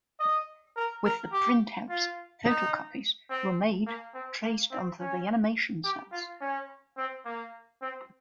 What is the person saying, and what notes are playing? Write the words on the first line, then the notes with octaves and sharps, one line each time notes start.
With the print outs, photocopies were made traced onto the animation cels.
D#5
A#4
A#4
G4
F4
D#4
C4
A#3
C4
A#3
C4
C#4
G4
F4
C#4
C4
A#3
C4